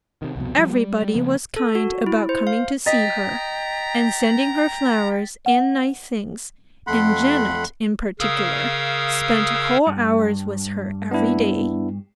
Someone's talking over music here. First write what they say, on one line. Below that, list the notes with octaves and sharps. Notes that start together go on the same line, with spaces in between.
Everybody was kind about coming to see her, and sending her flowers and nice things, and Janet, in particular, spent whole hours with her every day.
C3 D#3
C2 F2 B2
F3 G3
G3
G3
C#3 F3 A#3 B3
A4
F#4
E4
C5
F5
D#5 G5 A#5 A6 B6
F#5
F2 A3 F#5 B5 C6
C#3 A#4 F5 D#6 E6
G2
B3 D4 E4